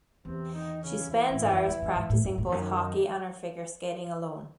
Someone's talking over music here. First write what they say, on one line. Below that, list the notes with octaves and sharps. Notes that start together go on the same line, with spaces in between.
She spends hours practicing both hockey and her figure skating alone.
E2 C3 C4
D#3 D#4
C#3 C#4
E3 E4
A2
G#2
F#2
E2
F#2
G#2
A2
F#2
A2
E2
F#2 D#3 D#4